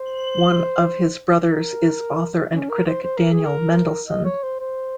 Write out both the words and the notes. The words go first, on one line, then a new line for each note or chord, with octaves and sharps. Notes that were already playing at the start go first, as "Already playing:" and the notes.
One of his brothers is author and critic Daniel Mendelsohn.
Already playing: C5
A#4
C#4
A#4
C5
C5
A#4
G#4
A#4
D#5
C#5
C5
C5